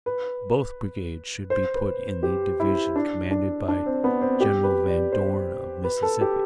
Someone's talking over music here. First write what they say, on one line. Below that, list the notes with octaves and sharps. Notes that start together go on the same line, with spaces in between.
Both brigades should be put in the division commanded by General Van Dorn, of Mississippi.
B4
C5
B4
G4
E4
D4
D4
D4
C4
B3
C4
G4
B4
D5
C5
B4
A4
G4